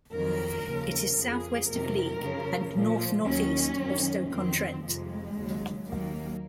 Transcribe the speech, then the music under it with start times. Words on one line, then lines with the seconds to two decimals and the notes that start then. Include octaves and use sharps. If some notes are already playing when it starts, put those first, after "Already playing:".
It is southwest of Leek and north-northeast of Stoke-on-Trent.
0.14 F2 D#3 F#3 A#4
0.66 D#2 C#3 F3
1.18 F2 C#3 F3 G#4
1.69 F2 C3 D#3 F#3 A#4
2.22 F#2 C#3 F3
2.74 A#2 F3
3.25 D#2 D#3 F#3 C#4
3.78 F#2 D#3 F#3
4.30 F2 D#3 F#3 C4
4.81 F2 C3 F3 G#3
5.34 D#2 C#3 F#3
5.86 D#2 D#3 F#3 A#3